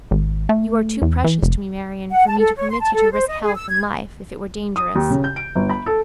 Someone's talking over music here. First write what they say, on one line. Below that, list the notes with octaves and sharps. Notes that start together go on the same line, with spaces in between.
You are too precious to me, Marian, for me to permit you to risk health and life, if it were dangerous.
G#1
A3
E2
E3
F1
F#5
A5
A4
C#5
C6
A5
A4
C5
D#5
G#4
E6
G#6
D#6
D#2
C#3
G6
D7
G1
B5
A4